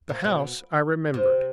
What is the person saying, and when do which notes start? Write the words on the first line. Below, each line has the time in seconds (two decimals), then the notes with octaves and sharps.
The house I remembered.
0.09 A#2
0.24 B2
1.14 C3